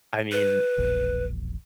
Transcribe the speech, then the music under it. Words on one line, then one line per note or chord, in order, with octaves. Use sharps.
I mean,
B4
E1 A#1